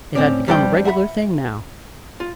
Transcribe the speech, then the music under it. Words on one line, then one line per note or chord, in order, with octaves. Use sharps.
It had become a regular thing now.
A2 C4 C#4 D5
F2 G3 D4 A4 C5 G5
E5 F#5 A#5 B5
F4